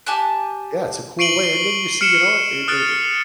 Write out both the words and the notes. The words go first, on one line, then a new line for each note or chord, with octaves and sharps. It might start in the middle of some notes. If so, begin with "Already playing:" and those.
yeah, it's a cool way and then you see you know what? Eh eh
G4 G#5 A5 F#6
C#6 C7 D7 D#7 F#7 G7
C7 G7
F6 C#7 D7 E7
D#6 F6 F#6 A6 D7